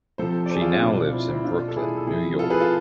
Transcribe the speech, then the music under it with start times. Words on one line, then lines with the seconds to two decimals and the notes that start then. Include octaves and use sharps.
She now lives in Brooklyn, New York.
0.18 C3 F3 A4 C5
0.46 D5
0.50 A4 C5
0.55 G#4
0.61 F4 A4
0.72 C4
0.81 B2 D4
1.07 F4
1.13 C4 E4
1.29 C4 E4
1.44 B2 D4 F4
1.68 A4
1.76 E4 G#4
1.97 A4
2.07 C3 F3 E4 G#4
2.39 F4 A4
2.50 G#4 B4
2.60 F4 A4